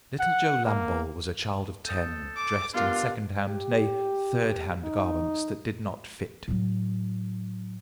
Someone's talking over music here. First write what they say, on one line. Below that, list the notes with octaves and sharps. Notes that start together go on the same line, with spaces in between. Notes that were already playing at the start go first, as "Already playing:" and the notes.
Little Joe Lambole was a child of ten, dressed in second-hand, nay, third-hand garments that did not fit.
F#5
A#3
A4 D#6 G6
D6
B3 D4 F4 G4 A#4 F5
G4
D#4
A2 F#3